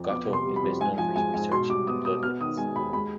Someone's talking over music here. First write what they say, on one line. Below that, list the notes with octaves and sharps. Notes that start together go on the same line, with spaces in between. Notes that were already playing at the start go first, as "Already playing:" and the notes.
Gotto is best known for his research into blood lipids.
Already playing: F2
B3 D6
C3
C6
G3
B5
F2
G#2 G#5
F3 G#5
G#3 G#5
G#2 G#5
B2 C6
G3 D6
B3 D#6
B2 D#6
B3 F6
D#3 D#6
G#3 G#5
D#2 B5
G#3 B5